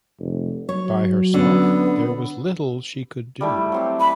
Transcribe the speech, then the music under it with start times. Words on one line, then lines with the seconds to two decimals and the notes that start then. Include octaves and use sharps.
By herself, there was little she could do.
0.19 F1
0.69 F#3 C#5
1.34 D3 B3 C#4
3.41 G3 A3 E4
3.72 F#3 C4 G4
4.00 B5